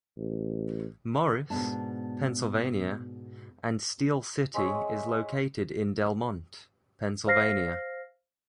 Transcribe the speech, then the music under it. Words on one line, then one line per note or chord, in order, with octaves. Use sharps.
Morris, Pennsylvania, and Steel City is located in Delmont, Pennsylvania.
A1
G#2 B2 B3 D4 A5
G#3 C4 C#5 E5
C5 F5 F6 A#6 C7